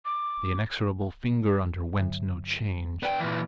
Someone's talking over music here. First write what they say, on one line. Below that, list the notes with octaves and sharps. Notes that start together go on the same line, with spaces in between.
The inexorable finger underwent no change.
D6
G2 D3 F#3
B3 D5 G5
A#2 E3